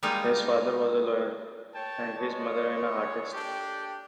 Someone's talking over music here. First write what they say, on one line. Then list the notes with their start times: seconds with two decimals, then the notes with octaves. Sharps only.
His father was a lawyer, and his mother an artist.
0.03 G3 G#3 A#3 D#4 F4
1.73 C#5 G5 A5
2.19 G#3 C#5
3.33 D4 G4 A4 G5